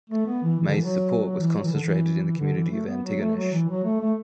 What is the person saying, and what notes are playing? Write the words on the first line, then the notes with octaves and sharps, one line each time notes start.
May's support was concentrated in the community of Antigonish.
A3
B3
E3
E3
D3
E3
F#3
F#3
E3
F#3
E3
D3
E3
E3
D3
E3
A3
B3
F#3
A3
F#3
E3
F#3
A3
A3